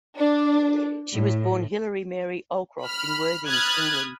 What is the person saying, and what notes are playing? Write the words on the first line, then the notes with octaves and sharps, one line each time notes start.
She was born Hilary Mary Allcroft in Worthing, England.
D4
A2
B5 F6
B5 D#6 F6 F#6 G#6 A6